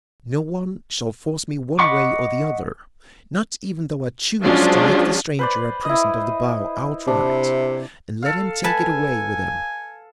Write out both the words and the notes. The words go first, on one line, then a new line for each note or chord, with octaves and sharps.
No one shall force me one way or the other, not even though I choose to make the stranger a present of the bow outright, and let him take it away with him.
D#5 F#5 B5 C#6 D6
F3 F#3 G#3 C#4 D4 F4
B4 C5 D5
E4 D#5
C3 D4
A4 F5
B4 G#5 A5